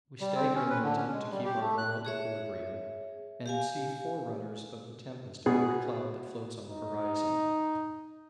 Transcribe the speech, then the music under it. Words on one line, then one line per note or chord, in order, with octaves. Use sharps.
We stagger in the attempt to keep our moral equilibrium, and see forerunners of the tempest in every cloud that floats on the horizon.
G3
C4
C#4
B4
D3
C#4
G#3
G3
G4
A3
F#6
G#4 C#5 E5
G4 F5 G#5
B2 B3 G#4
D#4